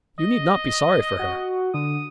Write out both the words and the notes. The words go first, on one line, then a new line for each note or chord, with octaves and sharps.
You need not be sorry for her.
D#5
F#4
D3 D#6